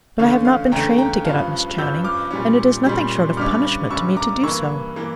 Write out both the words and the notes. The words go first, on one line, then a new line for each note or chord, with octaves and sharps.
"But I have not been trained to get up, Miss Channing; and it is nothing short of punishment to me to do so."
E2 D3 A3 C#4 F5
F5
E2 D3 A3 C#4 G5 A#5
G5 A#5
G2 F3 C#4 F5 A5
G2 F3 C#4 E6 G6
D6 F6
A#2 G3 C#4
A#2 G3 C#4
G2 D3 G3 C#4 D6 F6
G2 D3 G3 C#4 C#6 E6
A#5 D6
G2 E3 A#3 C#6 E6
E3 A#3